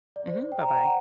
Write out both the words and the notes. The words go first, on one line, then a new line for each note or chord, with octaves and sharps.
Mhm, bye-bye.
D5
C5
D5
G5
A#5
G5
F#5